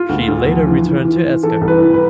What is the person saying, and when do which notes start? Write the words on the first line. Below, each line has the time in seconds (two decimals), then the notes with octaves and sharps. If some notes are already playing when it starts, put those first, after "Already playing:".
She later returned to Asker.
Already playing: F4
0.09 D2
0.28 D2
0.47 F3
0.67 E3
0.85 E3
1.05 E3
1.24 E3
1.43 E3 A4
1.61 C2
1.68 B4
1.81 E3
1.94 B4